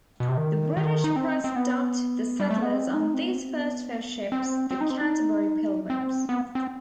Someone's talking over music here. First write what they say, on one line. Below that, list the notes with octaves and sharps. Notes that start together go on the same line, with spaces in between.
The British press dubbed the settlers on these first four ships the Canterbury Pilgrims.
B2
C3
D#3
D#3
D#4
C4
C4
B3
G3
A3
B3
C4
D#4
C4
B3
C4
B3
C4
C4
D#4
C4
D#4
C4
B3
C4